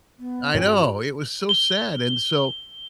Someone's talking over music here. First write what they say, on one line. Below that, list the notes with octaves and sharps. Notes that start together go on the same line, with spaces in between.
I know, it was so sad, and so,
B3
G2 C4 C#4 F#4 A#4 C#5
G7